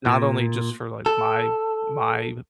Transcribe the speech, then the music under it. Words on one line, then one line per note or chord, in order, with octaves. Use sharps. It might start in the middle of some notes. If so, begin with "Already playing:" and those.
not only just for, like, my my
A#2
A4